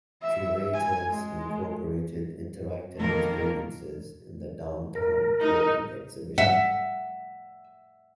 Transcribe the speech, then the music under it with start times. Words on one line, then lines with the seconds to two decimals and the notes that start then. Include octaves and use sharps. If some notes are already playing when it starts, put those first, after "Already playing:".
Curators incorporated interactive experiences in the downtown Portland exhibition.
0.22 E5
0.74 G#5
1.09 G#3
2.97 F2 B2 D#3 A#3 A4 A#4
4.95 A#4
5.40 D#4
6.38 E5 F#5